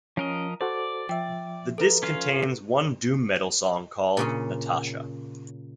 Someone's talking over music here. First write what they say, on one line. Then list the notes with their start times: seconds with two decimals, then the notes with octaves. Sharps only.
The disc contains one doom metal song called "Natasha".
0.17 F3 C#4 A#4 D#5
0.61 F#4 A4 C5 D5
1.09 F3 E5 G5
1.78 A4 B4 A#5
2.03 C#4 F4 F5
4.17 A#2 C#3 C#4